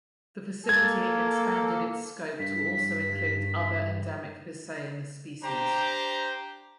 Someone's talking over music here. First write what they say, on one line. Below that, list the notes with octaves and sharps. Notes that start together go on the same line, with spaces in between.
The facility expanded its scope to also include other endemic Visayan species.
A#3 A4 G#6 A6
G2 B6
D4 G4 C5 A#5